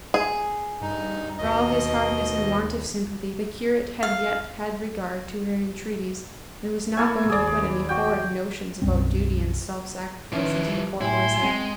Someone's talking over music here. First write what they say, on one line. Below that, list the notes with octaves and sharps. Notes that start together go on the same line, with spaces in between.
For all his hardness and want of sympathy, the curate had yet had regard to her entreaties, and was not going to put any horrid notions about duty and self-sacrifice into the poor boy's head!
G#4
G2 D#4
D#2 B2 D#5
F5
A#3 E4 A4 G#5
D#2 G#4 D5
F#4 G5
B1 F#2 G3 C4
D#3 F3 C#4 E4 B4
G3
A2 E4 G4 G#5 C6
G#3 C4 G5